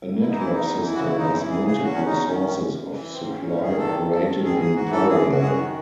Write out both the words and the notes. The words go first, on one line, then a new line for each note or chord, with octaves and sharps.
A network system has multiple sources of supply operating in parallel.
G#2
E4
E3 D#4
E4
E2 D#4
E3
E4
C#3 F#4
E4
F#2 D#4
E4
E3
G#4
C#3
G#4
E2 F#4
C#4
E2 D#4
D#3 C#4
F#2
F#2
E3
G#2 C4
C4
C#4
G#2
C#4
D#3
G#4
E2 A4
E2
A4
D#3
G#2 G#4
G#4
G#2
F#4
E3
A4
F#2 G#4
F#2 F#4
G#4
D#3 F#4